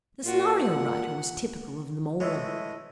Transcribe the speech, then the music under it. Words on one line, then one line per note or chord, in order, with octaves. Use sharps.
The scenario writer was typical of them all.
A#2 F4 F#4
F#5
E3 G#3 A3 E4 C#5 D#5 E5